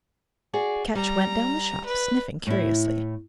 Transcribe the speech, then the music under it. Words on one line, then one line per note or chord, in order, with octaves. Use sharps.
Ketch went down the shop, sniffing curiously.
F#4 G#4 D5
G3 A#5
B4
A2 E4